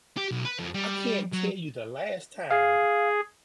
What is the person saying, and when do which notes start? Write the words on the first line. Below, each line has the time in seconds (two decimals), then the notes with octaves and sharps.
I can't tell you the last time
0.17 G4
0.31 B1
0.45 B4
0.59 F2
0.75 G3
1.33 F#3
2.51 G#4 F5